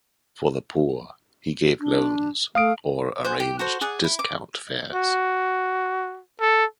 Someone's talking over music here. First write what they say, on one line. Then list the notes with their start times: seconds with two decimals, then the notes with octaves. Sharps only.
For the poor, he gave loans, or arranged discount fares.
1.80 D4
2.55 A3 F5 D#6 D7
3.24 C5 F#5 G#5
3.40 G4
3.59 F#4 A4 C5
3.81 G#4 D5 F#5
4.04 E4
4.19 D6
4.94 F#4
6.41 A4